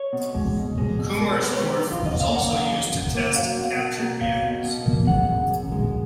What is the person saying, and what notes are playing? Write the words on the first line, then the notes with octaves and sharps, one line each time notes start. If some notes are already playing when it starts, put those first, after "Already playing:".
Kummersdorf was also used to test captured vehicles.
Already playing: C#5
B2
G#3
B2
G#3
B2
G#3 A#4
A#4
B2 B4
C#5
D#3 B4
D#4
F#2
F4
F#2 D#5
F5
A#3
F#5
D#3 F5
F#2
F#2
A#3
F#3 F5
B2
B2
A#3
F#3 F5
B2
B2
A#3
C#3 F#5
F#2
F#2
G#3